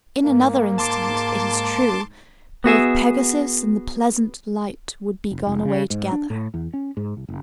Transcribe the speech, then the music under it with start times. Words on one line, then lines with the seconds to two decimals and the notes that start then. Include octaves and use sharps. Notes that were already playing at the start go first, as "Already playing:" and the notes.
In another instant, it is true, both Pegasus and the pleasant light would be gone away together.
0.25 G#2 A#3
0.78 A5 C6 D6
2.64 B3 F#4 G#4 E5
5.31 F1
5.47 F1
5.65 C#3
5.90 G#2
6.12 D4
6.30 A2
6.54 E2
6.74 C#4
6.97 G#2
7.17 C2
7.28 F#1